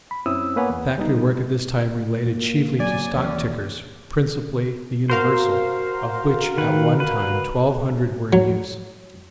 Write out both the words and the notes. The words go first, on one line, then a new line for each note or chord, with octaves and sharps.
The factory work at this time related chiefly to stock tickers, principally the "Universal," of which at one time twelve hundred were in use.
B5
F#2 C4 C#4 E4 D#6 E6
A#3 B3 B4 C#5 F#5 G#5
E2
G3 B3 D#4
A#3
F#3 D5 G#5
D#2 E3 F#3 C#4
F#4 A#4 C5 F5
D#3 B4
B4
F#3